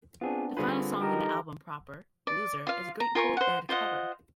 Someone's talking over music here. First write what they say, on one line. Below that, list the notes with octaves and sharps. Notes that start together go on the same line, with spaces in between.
The final song on the album proper, "Loser" is a Grateful Dead cover.
B3 C4 D4 F4 G#4
D3 G3 C4 F4 G#4 B4
D#3 D#4 G4 A4 A#4 G5
D5
F4 F5
A#5
F4 A#4 G#5 C#6
C5 F#5
F4 C5 D#5 F#5